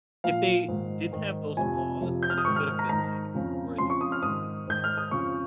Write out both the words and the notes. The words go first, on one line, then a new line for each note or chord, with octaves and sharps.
if they didn't have those flaws, then it could've been, like, worthy of those movie of those awards.
A#2 F3 F5
G#2 D#3
G#2 D#3
F2 C3 F3 G#5
F2 C3 F3
G6
F6
D#6
G#2 D#3 C#6
F6
F6
A#5
G#2 D#3 A#5
F2 C#3 F3
F2 C#3 F3 C6
C#6
D#6
F6
G#2 D#3 D#6
G#2 D#3 G6
F6
D#6
F2 C#3 F3 C#6